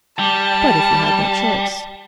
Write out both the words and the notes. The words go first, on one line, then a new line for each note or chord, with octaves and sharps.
"But if he had no choice?"
G3 A5